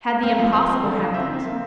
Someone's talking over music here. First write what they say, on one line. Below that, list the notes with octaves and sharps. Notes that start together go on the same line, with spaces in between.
Had the impossible happened?
C4 F5
F3
C4
C4
D3
F3
C4 E5
C4
A#3